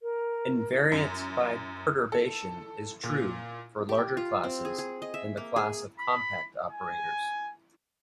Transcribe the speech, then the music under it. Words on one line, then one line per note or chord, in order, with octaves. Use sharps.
Invariance by perturbation is true for larger classes than the class of compact operators.
A#4
F#2
A4
A#2
G4
F4
C4
G#4
G#4
D#5
E5
A#3
G#4
B5
G#5